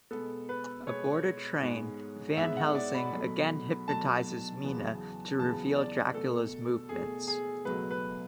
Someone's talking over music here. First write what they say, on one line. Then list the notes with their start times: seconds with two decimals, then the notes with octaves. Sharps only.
Aboard a train, Van Helsing again hypnotizes Mina to reveal Dracula's movements.
0.11 B2 G#3 B3 A4
0.49 B4
0.86 B2 G#3 B3 C#5
1.61 G#2 G#3 B3
2.37 G#2 G#3 B3 E5
2.57 F#5
2.75 D5
2.94 B5
3.13 B2 F#3 A3
3.88 B2 F#3 A3 A5
4.64 E2 C#3 F#3 B3
5.38 E2 C#3 F#3 B3 A5
5.77 D5
6.14 B2 A3 A4
6.89 B2 A3 G#4
7.27 G#4
7.65 C#2 B2 F#3 A3 B4
7.91 B4